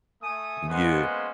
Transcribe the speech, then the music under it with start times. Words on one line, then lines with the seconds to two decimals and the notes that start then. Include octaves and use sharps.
Mm, yeah.
0.21 A3 G#5 D#6
0.67 G#3 A#3 B3 C#4 C5 F#5